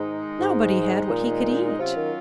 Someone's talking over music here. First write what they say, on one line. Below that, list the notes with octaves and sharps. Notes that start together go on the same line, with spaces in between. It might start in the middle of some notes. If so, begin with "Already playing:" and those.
Nobody had what he could eat.
Already playing: G#2 D#3 G#3 D#4
G#2
A#2
C3 F#3 C#4 F4
D#3